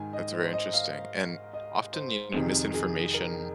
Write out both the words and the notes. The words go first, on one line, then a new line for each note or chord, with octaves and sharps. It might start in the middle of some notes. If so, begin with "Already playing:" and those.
That's very interesting, and often, you know, misinformation
Already playing: G#2 D#3 G#5
D#5
C5
D#5
F5
D#5
C5
F2 C3 D#3 G#4
G#4
A#4